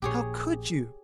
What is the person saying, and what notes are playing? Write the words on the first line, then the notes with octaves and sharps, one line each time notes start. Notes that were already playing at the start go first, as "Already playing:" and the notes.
How could you?
A#1 A#2 G4 G#4 C#5